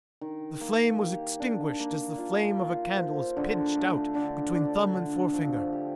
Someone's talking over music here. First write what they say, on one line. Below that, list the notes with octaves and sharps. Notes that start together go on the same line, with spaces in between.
The flame was extinguished as the flame of a candle is pinched out between thumb and forefinger.
D#3
A#3
G4
D4
A#3
F4
A#3
C5
D3
A3
D3
D4
D3
F3
G4